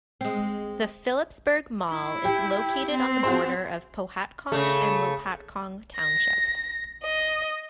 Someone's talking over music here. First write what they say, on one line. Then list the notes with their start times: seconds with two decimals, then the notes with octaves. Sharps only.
The Phillipsburg Mall is located on the border of Pohatcong and Lopatcong Township.
0.21 G#3 C4
1.90 E4
2.25 G4
2.91 C4
3.23 F#4 G#4 C5
4.52 C#3 A3
5.96 A#6
7.02 D#5